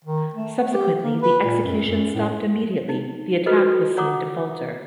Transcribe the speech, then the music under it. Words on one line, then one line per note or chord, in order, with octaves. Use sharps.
Subsequently the executions stopped immediately the attack was seen to falter.
D#3
A3
G4
A#3
B4
A#2
F#2
F#2
A2
D#4
F4 F#4 A4 B4 C5 D#5
C#5 F#5 A#5 D6 D#6